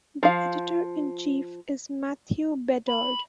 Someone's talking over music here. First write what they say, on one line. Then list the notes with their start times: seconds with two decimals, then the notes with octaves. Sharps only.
The Editor in Chief is Matthew Bedard.
0.23 F3 F5
2.88 B5